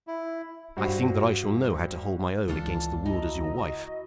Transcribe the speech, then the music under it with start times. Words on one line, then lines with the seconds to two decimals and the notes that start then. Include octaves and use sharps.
I think that I shall know how to hold my own against the world as your wife.
0.07 E4
0.77 G2 F#4 C5 B5
2.48 C#2 E3 D4 F4 A4
3.05 D#4 E4 F#4 D#5